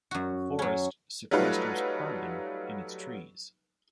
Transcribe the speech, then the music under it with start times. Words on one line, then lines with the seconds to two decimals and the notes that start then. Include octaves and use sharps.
A forest sequesters carbon in its trees.
0.11 F#2 F#4
0.59 F#3 C#4
1.31 F#3 G3 A3 D#4 F4 B4